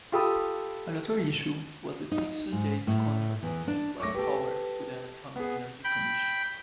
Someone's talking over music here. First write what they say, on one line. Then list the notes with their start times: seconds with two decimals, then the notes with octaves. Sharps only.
Another issue was the Dixon-Yates contract to supply power to the Atomic Energy Commission.
0.12 F4 G4 A4 B5 D#6
2.12 D#4
2.52 G#2
2.87 A2
3.43 E2
3.68 D4
4.00 F#2 A3 C#6 D6 A#6
4.15 G4 A4 B4 G5
5.36 B3 G#4
5.84 G5 B5